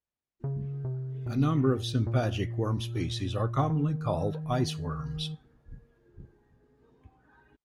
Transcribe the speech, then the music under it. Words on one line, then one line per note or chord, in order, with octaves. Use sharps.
A number of sympagic worm species are commonly called ice worms.
C#3
C3
B2
A#2
A#2
D#3